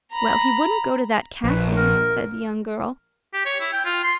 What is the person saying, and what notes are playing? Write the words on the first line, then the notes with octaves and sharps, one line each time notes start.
"Well, he wouldn't go to that castle," said the young girl.
A#5 B5
A#1 B4
A#4
G4
C#5
E4
G5
F4
C6